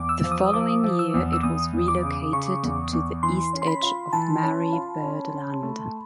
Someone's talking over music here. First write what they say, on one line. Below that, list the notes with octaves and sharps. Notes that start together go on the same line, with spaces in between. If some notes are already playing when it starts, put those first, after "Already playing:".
The following year it was relocated to the east edge of Marie Byrd Land.
Already playing: E2 D6
E6
F3
D#6
F3 D6
F3
E6
E2
E6
E2 D#6
E2
D6
C#3
C#3 C#6
E2
E2
E3 C6
C#4
C6
B5
F4
E3 A5
C#4
F4
C#4
C#4
A3